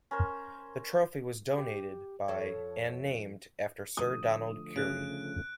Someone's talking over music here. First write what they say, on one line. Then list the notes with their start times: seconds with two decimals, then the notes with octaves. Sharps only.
The trophy was donated by and named after Sir Donald Currie.
0.11 C#4 A#4 C5
1.58 G4
2.28 F2 A4 C#5
3.97 D3 F3 A3 D#6
4.76 C#3 F#6 D7